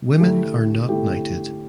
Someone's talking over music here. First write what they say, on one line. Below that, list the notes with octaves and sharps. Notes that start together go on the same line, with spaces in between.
Women are not knighted.
D3 A3 E4 G4
D3 A3 E4 G4